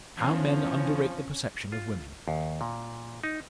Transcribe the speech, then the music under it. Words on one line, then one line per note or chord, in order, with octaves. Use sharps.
How men underrate the perception of women!
E2 F3 C#4
F4
D#2
A#2
D#4